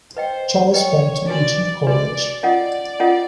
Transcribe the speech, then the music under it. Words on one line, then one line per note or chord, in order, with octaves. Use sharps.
Charles went to Eton College.
B4 C5 D#5 G5
B4 C#5 D#5 G5
D4 F#4 B4 D5
D4 F#4 B4 D5
C#4 F4 A#4 D5 D#5 F#5
C#4 F4 A#4 D#5 F#5